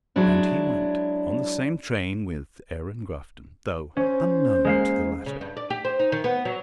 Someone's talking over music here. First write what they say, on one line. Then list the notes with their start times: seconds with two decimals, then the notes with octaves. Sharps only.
And he went, on the same train with Aaron Grafton, though unknown to the latter.
0.16 F#3 G#3 D4 E4
3.97 C#4 C5
4.65 G#3 A#3 C7
5.26 C#3
5.41 G2
5.57 D5
5.70 G4
5.85 C5
5.99 D#4
6.12 D#3
6.24 B3
6.45 F#3